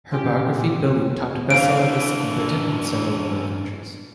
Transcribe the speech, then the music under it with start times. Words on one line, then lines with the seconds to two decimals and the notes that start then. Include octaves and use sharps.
Her biography "Billy" topped best-seller lists in Britain and several other countries.
0.13 A#2 C#4 F4 G4
1.50 F#2 E3 D4 C5 F5 D7